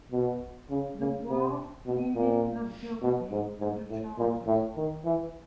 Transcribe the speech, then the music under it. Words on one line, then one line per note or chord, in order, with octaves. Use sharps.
The guard pleaded not guilty to the charges.
B2
C#3
C#3
C3
B2
A#2
B2
G#2
G#2
A2
A#2
A2
D#3
E3